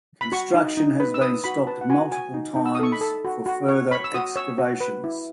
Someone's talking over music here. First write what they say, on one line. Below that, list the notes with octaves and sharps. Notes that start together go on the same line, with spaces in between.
Construction has been stopped multiple times for further excavations.
B5
F#4 C#6
D#4
D#4
B4
E6
B4 D#6
F#4 B5
B4 A5
F#5
F#4 G#5
F#4 G#5
D#4
D#4
E6
D#6
A4 C#6
B5
A4 A5
F#4
F#4
C#5
C#5 B5
E6
F#4 D#6
C#5 E6
F#4
B4
E4